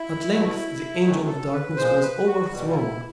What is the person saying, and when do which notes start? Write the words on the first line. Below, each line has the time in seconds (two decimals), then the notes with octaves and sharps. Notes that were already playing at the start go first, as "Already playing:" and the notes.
At length the angel of darkness was overthrown.
Already playing: E4
0.29 B2 F#3 A3
1.03 F#2 D#3 F#3 A3
1.27 A4
1.52 B4
1.76 A#2 F3 G#3 C5
2.02 B4
2.27 F#4
2.50 E2 B2 G3
2.69 F4
2.75 E4